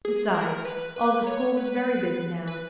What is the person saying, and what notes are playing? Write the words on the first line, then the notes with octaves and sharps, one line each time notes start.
Besides, all the school was very busy now.
G#4
A#4
B4
B4
C#5
B4
B4